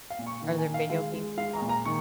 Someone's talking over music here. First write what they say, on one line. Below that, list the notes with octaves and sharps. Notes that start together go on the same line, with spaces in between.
Are there video games involved?
F5
A#2
C#6
D#3
G#5
D#3
F5
G#3 F5
G#3
G#3 F5
A#5
A#2
A#5
D#3 C#6